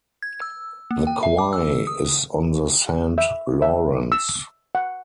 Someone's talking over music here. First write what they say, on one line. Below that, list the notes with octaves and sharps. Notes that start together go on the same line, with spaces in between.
The quay is on the Saint Lawrence.
G#6
E6
A#3
G5
E5
D6
E6
D#6
E5
E5
E6
F#5